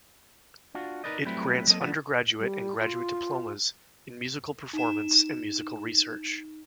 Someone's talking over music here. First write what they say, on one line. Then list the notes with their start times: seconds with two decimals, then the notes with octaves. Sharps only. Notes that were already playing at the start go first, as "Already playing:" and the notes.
It grants undergraduate and graduate diplomas in musical performance and musical research.
0.75 D4 F4 F#4
1.04 D#4 F#4 A#4 B4 D5 D#5
1.25 F#3 G3 A3 C4 E4 B4
1.67 F#3 A#3 C4 A4 D#5
1.81 C#3 F3 A3 B3 D4
2.40 G3
2.78 F4
4.73 D#4 E7